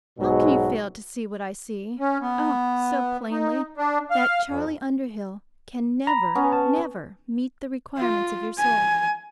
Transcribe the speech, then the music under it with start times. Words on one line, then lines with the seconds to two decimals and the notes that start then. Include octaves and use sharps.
How can you fail to see, what I see, oh! so plainly, that Charley Underhill can never, never meet the requirements of your soul.
0.19 B1 G#2 B2 F#3 G#3
2.00 C#4
2.21 B3
3.31 D#4
3.77 D4
4.11 F5
4.48 F2
6.07 A#5 B5
6.35 B3 C#4
6.53 A5
7.97 F4
8.58 G#5